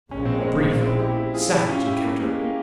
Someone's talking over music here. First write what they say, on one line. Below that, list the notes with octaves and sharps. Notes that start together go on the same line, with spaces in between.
A brief, savage encounter.
A#1 A#2 G#3 C#4
C4
A#3 C#4
C4 E4
E4 G4
E4 G4
F4 G#4
E4 G4
C#4 F4
E4 G4
A#3
G#3
A#3